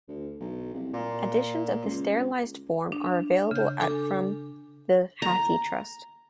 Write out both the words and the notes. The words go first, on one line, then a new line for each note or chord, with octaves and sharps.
Editions of the serialized form are available at from the Hathi Trust.
D2
B1
C2
A#2
C#2
D4
C#3 G6
D4 A4 G#5 D6
A#5